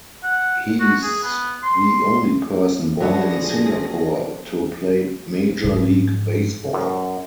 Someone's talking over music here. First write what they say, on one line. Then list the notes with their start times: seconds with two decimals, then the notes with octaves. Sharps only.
He is the only person born in Singapore to play Major League Baseball.
0.23 F#5
0.80 F#4
1.02 G#4
1.23 B3
1.63 C6
3.00 F3 F#3 A3 B3 D4 F#4 G#4 A#6
5.64 G#2 F3
6.73 F#2